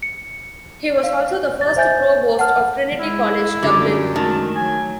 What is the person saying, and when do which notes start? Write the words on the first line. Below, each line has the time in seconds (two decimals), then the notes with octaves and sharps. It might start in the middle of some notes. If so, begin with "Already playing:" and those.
He was also the first Provost of Trinity College, Dublin.
0.02 C#7
1.04 F5
1.61 A6
1.76 C5 E5 G#5 G6 A6
2.39 F#5 A5 F6
2.99 G#3 E4
3.63 F#2 D3 G4
4.16 D#3 G#3 A3 F#4 A5
4.56 F#3 G#5